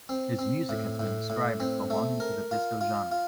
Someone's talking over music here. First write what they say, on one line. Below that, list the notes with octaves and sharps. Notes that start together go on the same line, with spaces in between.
His music has been described as belonging to the disco genre.
C4
C4
A2
A2
A2
C4
A3
A#4
F4
F4
F4